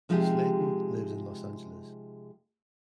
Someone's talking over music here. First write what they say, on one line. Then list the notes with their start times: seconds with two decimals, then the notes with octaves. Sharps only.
Slayton lives in Los Angeles.
0.09 C3 F3 G#3 D#4 G4 G#4